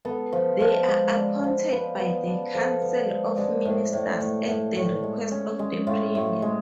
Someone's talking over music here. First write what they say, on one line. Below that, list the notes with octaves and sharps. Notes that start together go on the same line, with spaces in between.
They are appointed by the Council of Ministers at the request of the Premier.
B3 A4
F3
F3
G#3
D4
F3
F3 B4
B3
D4
F3 A4
B3
G#3
G#3 D4
A2
A2
A2
A2
A2
G#3
C#4
G#3
A2 F4
A2
G#3